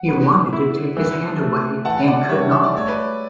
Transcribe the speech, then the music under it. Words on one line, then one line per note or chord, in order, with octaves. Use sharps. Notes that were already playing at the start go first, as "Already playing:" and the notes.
He wanted to take his hand away, and could not.
Already playing: F#5
B3
E4
E3
A3
E3 F#5 A5
D5 F#5
G3 C#5 E5
E5
D5
A3 C#5
B4 D5